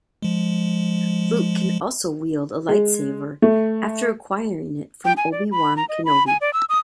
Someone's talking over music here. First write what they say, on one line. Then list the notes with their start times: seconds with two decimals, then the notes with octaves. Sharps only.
Luke can also wield a lightsaber after acquiring it from Obi Wan Kenobi.
0.22 F3 G#3
2.69 G#3
3.42 A3
5.05 G5
5.17 G#5
5.32 D5
5.51 B5
5.77 A#5
5.89 D#5
6.05 B5
6.27 G#5
6.41 D5
6.53 E6
6.69 D#6